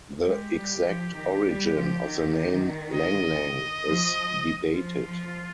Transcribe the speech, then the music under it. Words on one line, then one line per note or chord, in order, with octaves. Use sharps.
The exact origin of the name Lang Lang is debated.
G#3 G4
G3
F3
D#3
G3
F3
D#3
D#5
F3
F3 F4
F3